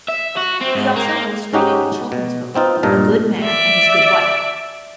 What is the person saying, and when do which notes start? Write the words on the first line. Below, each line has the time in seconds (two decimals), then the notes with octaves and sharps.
He also illustrated a children's book "A Good Man and His Good Wife".
0.08 E5
0.37 F#4
0.61 C4
0.75 G#2
0.96 A#3
1.53 G#2 C#4 D#4 F#4 G4
2.12 B2
2.54 B3 C4 D#4 F4
2.83 G2 A#2 D#4 A#4 A5
3.43 D5 E5